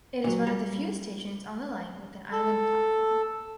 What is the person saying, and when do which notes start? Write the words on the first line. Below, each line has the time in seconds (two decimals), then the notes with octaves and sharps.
It is one of the few stations on the line with an island platform.
0.24 A#2 F#3
0.47 G3
2.32 A4